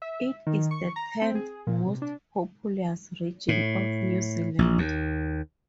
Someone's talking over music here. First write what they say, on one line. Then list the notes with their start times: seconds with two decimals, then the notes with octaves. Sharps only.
It is the tenth most populous region of New Zealand.
0.02 E5
0.47 D#3
0.71 C#6
0.96 A#5
1.22 C4
1.35 G#4
1.67 A#2
1.86 C3
2.02 D4
3.48 A2
4.59 A#1
4.78 D#2